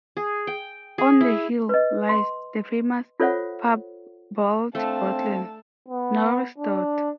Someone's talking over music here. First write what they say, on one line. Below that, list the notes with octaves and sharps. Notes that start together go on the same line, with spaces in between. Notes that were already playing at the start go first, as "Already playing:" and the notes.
On the hill lies the famous "Parbold Bottle", now restored.
G#4
G5
G#4
E4
B4 D#5
C6
F4 A4 C5 C#5 E5 F#5
A3 C4 D4 F5 A5
B3
D4